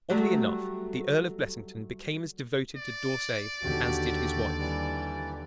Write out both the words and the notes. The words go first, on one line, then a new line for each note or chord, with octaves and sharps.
Oddly enough, the Earl of Blessington became as devoted to D'Orsay as did his wife.
F#3 G3 A3
D5
D#2 D3 F#4 G4
E3 G3